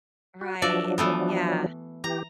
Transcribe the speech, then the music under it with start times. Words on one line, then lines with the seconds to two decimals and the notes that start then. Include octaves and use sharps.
Right. Yeah.
0.41 F#4
0.62 F3 F#3 D4 F#4 D5 E5
0.98 E3 A3 B3
2.04 E3 G4 A#5